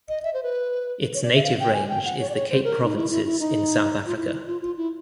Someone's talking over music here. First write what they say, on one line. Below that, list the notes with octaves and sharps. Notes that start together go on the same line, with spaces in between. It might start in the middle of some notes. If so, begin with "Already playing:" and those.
Its native range is the Cape Provinces in South Africa.
D#5
E5
C5
B4
C#5
D5
E5
F5
G5
G#5
G5
F#5
C#5
D5
C#5
C5
A#4
D#4
E4
E4
E4
D#4
F4
E4
F4
F4
E4